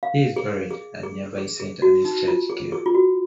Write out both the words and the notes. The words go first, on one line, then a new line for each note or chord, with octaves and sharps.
He is buried at nearby Saint Anne's Church, Kew.
F5
G#4
G#4
G#4
G#4
G#4
F#4
D#4
F4
G#4
G#4
F4
F#4